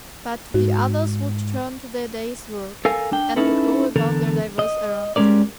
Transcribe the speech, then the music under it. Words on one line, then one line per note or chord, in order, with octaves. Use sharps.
But the others would turn to their day's work, and would go about their divers errands.
G#2 F#4
A4 A#4 F5 G#5
D4 G5
C#4 D#4 E4 A4 B4
E2 D3 A4 A#4
D#5
G3 G#3 A#3 C#4 A#4 D5